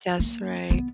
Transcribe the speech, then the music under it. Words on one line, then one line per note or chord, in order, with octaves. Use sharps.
That's right.
A#3
B3